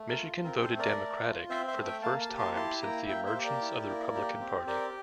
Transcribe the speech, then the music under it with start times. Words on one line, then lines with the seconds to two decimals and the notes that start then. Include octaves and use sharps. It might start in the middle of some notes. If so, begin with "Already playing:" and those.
Michigan voted Democratic for the first time since the emergence of the Republican Party.
Already playing: A3
0.09 A#4
0.17 F4
0.44 C4 A#4
0.61 A4 C5
0.71 A3
0.79 A#4 D5
0.97 A3
1.24 F4
1.49 C4 C5 E5
1.68 C5 E5
1.76 A3
1.84 E5 G5
2.03 A#3 F5 A5
2.20 F5 A5
2.29 G4
2.38 A5 C6
2.55 E4 A5 C6
2.82 A#3 G5 A#5
3.08 A#3 E5 G5
3.26 C5 E5
3.35 G4
3.44 A#4 D5
3.61 E4
3.88 A#3
4.15 G4
4.41 C4
4.67 G4 A#4 D5